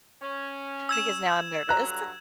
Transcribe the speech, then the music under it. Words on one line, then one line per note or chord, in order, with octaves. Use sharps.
Because now I'm nervous.
C#4
E6 G#6 E7
G2 D3 F#3 A#5 F#6